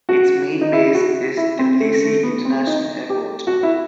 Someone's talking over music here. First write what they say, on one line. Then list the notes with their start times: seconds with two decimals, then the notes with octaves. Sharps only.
Its main base is Tbilisi International Airport.
0.09 F#4
0.61 D#4
0.73 E4
0.95 F#4
1.37 E4
1.59 C4
1.80 A3
2.02 A3
2.23 B3
2.45 C4
2.67 D#4
3.09 G4
3.47 F#4
3.63 E4